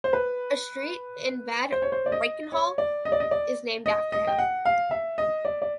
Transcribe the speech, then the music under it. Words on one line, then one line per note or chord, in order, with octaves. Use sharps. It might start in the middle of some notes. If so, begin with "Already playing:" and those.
A street in Bad Reichenhall is named after him.
C5
B4
C5
C#5
C5
D5
D#5
C#5
D5
D#5
D5
D#5
D5
D#5
D#5
G5
F#5
F5
E5
D#5
D5
D5